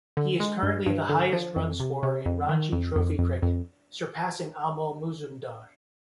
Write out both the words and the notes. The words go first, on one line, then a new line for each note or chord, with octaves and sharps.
He is currently the highest run-scorer in Ranji Trophy cricket, surpassing Amol Muzumdar.
D3
G#3
G2
G2
D3
F3
F2
C3
C3
F2
D#3
F2
F2
F2
F2